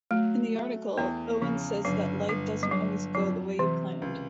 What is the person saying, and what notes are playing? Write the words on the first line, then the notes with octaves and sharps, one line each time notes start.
In the article, Owen says that life doesn't always go the way you planned.
F#3 A3
A3
E2 B3
C#3 F3
G1 F#3
G1 G3
G3
G1 F#3
F2 F#3
C3 E3
C#2